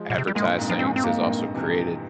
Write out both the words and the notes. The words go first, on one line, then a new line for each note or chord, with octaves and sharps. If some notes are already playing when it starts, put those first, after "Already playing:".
advertisings has also created,
Already playing: F3 G#3
A#2
C3
G3
G2 A#2 G#3
G2 A#2
F2 G#2
G2 F3
C4
G#2
G2 C#4
C4
F2 G#2 A#3
G2 A#2
G2
C3 E3